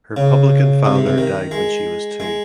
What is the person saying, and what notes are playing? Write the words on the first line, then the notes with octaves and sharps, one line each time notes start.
Her publican father died when she was two.
C#3
C3
G#2
C3
D#3
G#3
G#3